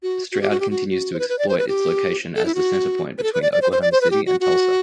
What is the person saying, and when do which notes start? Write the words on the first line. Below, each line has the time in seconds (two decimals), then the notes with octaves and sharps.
Stroud continues to exploit its location as the centerpoint between Oklahoma City and Tulsa.
0.03 F#4
0.32 F#4
0.41 G4
0.50 F#4
0.60 G4
0.70 F#4
0.90 F#4
1.13 C5
1.19 B4
1.29 B4
1.39 D5
1.49 C5
1.58 B4
1.68 G4
2.36 A4
2.46 E4
2.55 F#4
3.18 B4
3.23 A4
3.34 B4
3.42 D5
3.53 D5
3.62 C5
3.72 C5
3.82 D5
3.92 C5
4.01 B4
4.11 G4
4.26 F#4
4.40 F#4